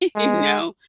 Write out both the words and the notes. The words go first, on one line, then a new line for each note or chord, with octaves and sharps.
you know,
G#3